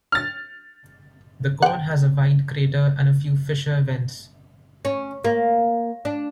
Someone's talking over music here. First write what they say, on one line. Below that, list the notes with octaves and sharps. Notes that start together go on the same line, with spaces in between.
The cone has a wide crater and a few fissure vents.
F6 A6
F#5 G5
C#4
A#3
D4